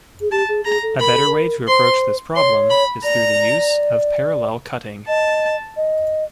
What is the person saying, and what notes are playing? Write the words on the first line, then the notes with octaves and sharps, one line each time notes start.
A better way to approach this problem is through the use of parallel cutting.
G#4
G4 A5
G#4
G#4 A#5
A4
A#4 B5
A4
A#4
C5 C6
C#5 C6
B5
D5 A#5
D#5 A5
D#5